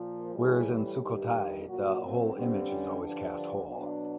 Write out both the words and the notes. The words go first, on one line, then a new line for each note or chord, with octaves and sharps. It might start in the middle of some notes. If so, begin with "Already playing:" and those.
Whereas in Sukhothai the whole image is always cast whole.
Already playing: A#2 F3
A2 E3 G3 G#4
G4
G2 D#3 G3
A#2 F#3 F#4
C4
G2 D3 G3 C4
C#4
G2 D3 F3 D4
B2 F#3 D4